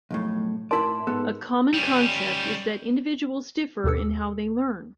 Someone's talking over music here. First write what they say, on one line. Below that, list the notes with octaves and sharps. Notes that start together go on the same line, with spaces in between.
A common concept is that individuals differ in how they learn.
B1 F2 A2
A2 E4 A#4 D5 A5 C6
G#2 B3 A4
G3 C#4
D#2 B2 G4 A4 E6 C#7